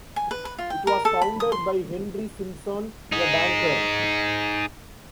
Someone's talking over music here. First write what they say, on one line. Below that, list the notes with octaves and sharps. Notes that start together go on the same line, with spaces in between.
It was founded by Henry Simpson, a banker.
G#5
B4
B4
F4
G5
A#4
A4
B5
D#6
C6
D#4 G#4